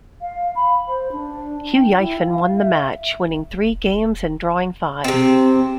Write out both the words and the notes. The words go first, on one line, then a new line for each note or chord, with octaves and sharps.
Hou Yifan won the match, winning three games and drawing five.
F5
B5
C5
D4
G5
E4
F5
E5
C3 C4